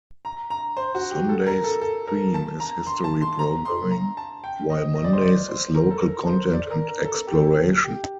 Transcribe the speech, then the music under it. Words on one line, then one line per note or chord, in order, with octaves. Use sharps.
Sunday's theme is history programming while Mondays is local content and exploration.
A#5
A#5
C5
F#4
G4
A4
A#4
A4
A4
A#4
A5
A#5
C6
A5
C6
A#5
C6
A#5
A5
G5
D#5
D#5
D5
C5
D5
C5
A#4
A4
A#4
C5
D5
A#4
A#4
A4
G4
A4
G4